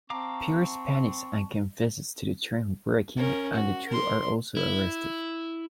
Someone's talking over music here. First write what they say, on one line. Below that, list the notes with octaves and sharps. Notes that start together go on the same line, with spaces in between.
Pierce panics and confesses to the train wrecking, and the two are also arrested.
C4 F5 A5 A#5 C#6 D6
C#4 A#4
F#4
A#4 C6
E4